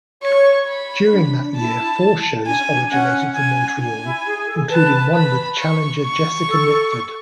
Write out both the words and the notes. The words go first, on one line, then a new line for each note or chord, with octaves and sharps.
During that year four shows originated from Montreal including one with challenger Jessica Mitford.
C#5 C#6
B5
D4
D4
D4
E4 A5
D4 G#5
C#4
D4
D4
C#4 F#5
G#5
D4 G#5
E4
G#4
A4
B4 A5
B5
C#6
C#6
A4